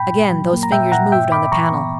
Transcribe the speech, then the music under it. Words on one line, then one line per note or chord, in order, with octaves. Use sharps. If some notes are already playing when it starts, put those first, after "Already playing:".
Again those fingers moved on the panel.
Already playing: G2 A#2 G5 B5
A#2
F#3
A#3
A#5
A#2 E5 G5
A#2 F#5 A#5
G2 E5 G5
G2 B5 D6
E3 A#5 C#6
B3